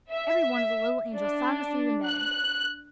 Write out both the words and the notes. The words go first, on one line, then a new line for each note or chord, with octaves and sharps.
Every one of the little angels sound asleep in bed.
E5
D4
F#6